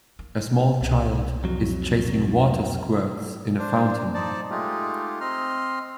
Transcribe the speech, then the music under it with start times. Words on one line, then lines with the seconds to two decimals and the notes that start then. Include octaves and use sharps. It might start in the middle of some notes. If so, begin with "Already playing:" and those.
A small child is chasing water squirts in a fountain.
0.19 A#3
0.81 C2
1.44 F2 F#3
3.59 D4 C5
4.14 D#4 C5 D5 A5
4.51 G#3 A3 D#4 F4 G4
5.21 C4 D#5 C6 F6